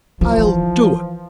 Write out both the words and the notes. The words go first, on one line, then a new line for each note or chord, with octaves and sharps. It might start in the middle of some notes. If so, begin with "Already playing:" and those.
I'll do it....
E3 F3